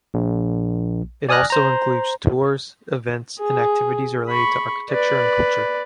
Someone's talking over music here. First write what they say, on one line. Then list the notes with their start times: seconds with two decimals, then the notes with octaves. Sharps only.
It also includes tours, events and activities related to architecture and culture.
0.14 A#1
1.29 D5 G#5 D#6 F6 F#6 A#6
1.50 C5 A#5
3.39 G#4
4.29 B5 C#6
4.91 B4 D5